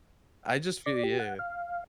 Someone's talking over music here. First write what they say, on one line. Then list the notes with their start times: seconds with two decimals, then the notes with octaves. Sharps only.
I just feel yeah.
0.86 D5
1.03 G4
1.19 F#5
1.39 F5